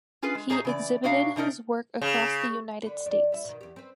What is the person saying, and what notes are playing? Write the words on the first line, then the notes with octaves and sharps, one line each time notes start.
He exhibited his work across the United States.
C#4 F4 G#4 B4
G#3
G#2 G#4 C5 C#5 A#5
C#3 E3 D5
B2 D4 F#4 C#5 F5 A#5
C3 D4 D#4 A#4
C#3
D3 B4
E2 D5
G3 E4
B2 D#3
E2 G4
C4 B4